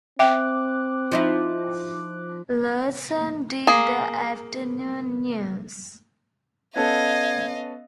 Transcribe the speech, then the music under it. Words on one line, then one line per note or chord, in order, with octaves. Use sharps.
Larson did the afternoon news.
C4 E5 G5 D6 F#6
F3 D#4 E4
A#3 G#4
B3 C#4 A4 D#5 F5 G#6